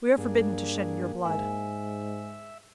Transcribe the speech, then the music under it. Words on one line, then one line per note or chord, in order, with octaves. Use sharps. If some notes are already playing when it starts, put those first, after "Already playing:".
"We are forbidden to shed your blood."
G2 A#3 D4 G#4
G#2 E5 G#5